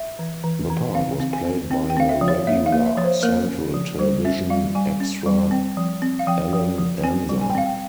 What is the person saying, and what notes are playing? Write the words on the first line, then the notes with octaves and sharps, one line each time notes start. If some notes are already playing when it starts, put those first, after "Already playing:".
The part was played by a regular Central Television extra Allan Anza.
Already playing: E5
E3
E3
E3
C4 F5
C4
G#5
C4
C4 G5
G5
C4 F5
E5
F3
C#5
A#3 E5
F5
A#3
E5
F3 C#5
C5
A#3 A#4
C#4
F3
G3 C5
C#4 E5
G3 F5
G3 G#5
C#4
G3
C4 G5
F3
C4
F5
F3 G5
F3
F3
C4 G#5
G3
G#5
G5
C4 F5
G5